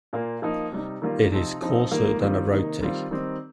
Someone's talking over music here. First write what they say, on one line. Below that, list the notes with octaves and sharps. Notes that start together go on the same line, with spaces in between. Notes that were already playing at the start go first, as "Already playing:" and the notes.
It is coarser than a roti.
A#2 A#3 F4
F3 A#3 D#4
C3 G3 D#4
D#3 G3 A#3 F4
C3 F3 C4 D#4
F3 C4 D#4
D#3 G3 A#3 F4
D#3 G3 C4 F4
C3 D#3 A#3 D#4
D#3 G3 C4 F4
D#3 G3 C4 D#4